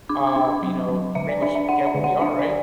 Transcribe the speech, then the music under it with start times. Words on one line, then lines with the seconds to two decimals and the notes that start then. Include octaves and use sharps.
um, you know, pretty much get where we are, right?
0.09 D4 D6
0.27 D6
0.36 D4
0.45 D6
0.62 F#3
0.89 F#3
1.15 D3 E5
1.29 D5
1.42 D4 E5
1.55 E5
1.69 D4 F#5
1.86 E5
1.95 D3
2.04 F#5
2.21 D4 E5
2.39 D5